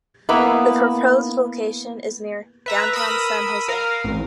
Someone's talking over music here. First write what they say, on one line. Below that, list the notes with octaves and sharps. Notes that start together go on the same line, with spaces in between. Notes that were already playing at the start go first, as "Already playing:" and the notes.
The proposed location is near downtown San Jose.
A#3 B3 E4
B4 E5 A#5
A#4 B5 D#6 E6
A#4 F5
A1